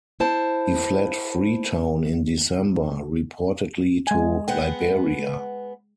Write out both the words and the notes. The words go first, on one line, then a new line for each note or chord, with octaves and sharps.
He fled Freetown in December, reportedly to Liberia.
E4 C5 A5
G#3 G#5
G#3 B3 F#5 G5